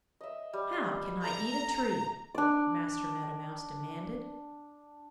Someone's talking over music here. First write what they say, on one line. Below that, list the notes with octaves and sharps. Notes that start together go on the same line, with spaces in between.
"How can I eat a tree?" Master Meadow Mouse demanded.
D#5 E5
G3
A4 A5 A#5
D4 D5